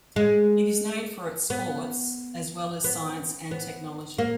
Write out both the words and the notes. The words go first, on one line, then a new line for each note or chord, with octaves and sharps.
It is known for its sports as well as science and technology.
G#3
B3
B3
B3
A#3